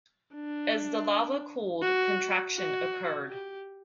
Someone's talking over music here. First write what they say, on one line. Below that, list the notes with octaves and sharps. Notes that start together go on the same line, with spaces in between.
As the lava cooled, contraction occurred.
D4
F#4
F#4
G4